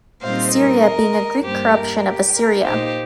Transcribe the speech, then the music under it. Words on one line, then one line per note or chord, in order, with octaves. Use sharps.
Syria being a Greek corruption of Assyria.
A#2 G3 C4 D#4 C5 F5
A#4 D#5
G2 G3 A#3 G4 C5
A#4
G4
A#4
A#2 A#3 D#4 G4 C5